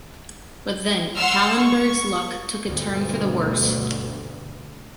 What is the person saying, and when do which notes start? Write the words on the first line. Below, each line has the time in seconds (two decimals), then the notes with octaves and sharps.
But then Callenberg’s luck took a turn for the worse.
1.17 F#5 C6 E6 F6
1.58 C#6
2.66 D2 G2 B2